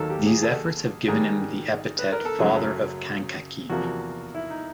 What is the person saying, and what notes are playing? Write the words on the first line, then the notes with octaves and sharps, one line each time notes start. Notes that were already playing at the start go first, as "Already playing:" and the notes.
These efforts have given him the epithet Father of Kankakee.
Already playing: D#2 D#3 F#3 A#3 A4
G4
G#4
A4
G#2 D#3 G3 G#4
B4
A#4
A4
F#2 C#3 F#3 A3 G#4
E2 C3 F3 A#3 F#4
E4
D#4